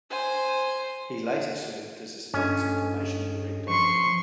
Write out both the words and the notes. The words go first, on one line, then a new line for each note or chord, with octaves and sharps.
He later served as a sports information director.
C5 G#5
G2 C#4 D4 A4 D#5
F3 C6 C#6